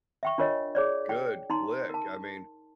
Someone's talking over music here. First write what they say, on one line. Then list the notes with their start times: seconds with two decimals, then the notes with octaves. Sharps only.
good flick, I mean,
0.23 E5 G5 C#6
0.38 D4 F4 A#4 C#5 D#5
0.75 G#4 C#5 D5
1.09 G5
1.50 D#4 A#5 C6
1.90 A#4 A5